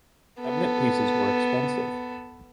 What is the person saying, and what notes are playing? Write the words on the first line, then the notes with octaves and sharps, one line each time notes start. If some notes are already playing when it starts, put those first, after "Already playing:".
Cabinet pieces were expensive.
B3 A4